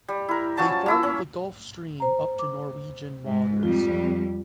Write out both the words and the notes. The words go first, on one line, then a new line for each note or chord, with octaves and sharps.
They follow the gulf stream up to Norwegian waters.
G3
E4 A#4
F3 F#3 C#4 A5
A#3 E4 E6
C#4
C5 A#5
D6
G#2
F2 G3 F4